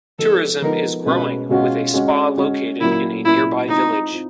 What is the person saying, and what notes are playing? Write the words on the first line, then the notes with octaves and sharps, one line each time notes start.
Tourism is growing, with a spa located in a nearby village.
F3 G#3 B3 D#4 A4
F3 G#3 B3 D#4 A#4
B2 G#3 C#4 F#4 B4
B2 G#3 C#4 F4 F#4
G#3 C#4 F#4
G#3 C#4 F#4
A#2 F#3 A#3 C#4 E4
A#2 F#3 A#3 C#4 E4
G#3 C4 D#4 F4
C4 F4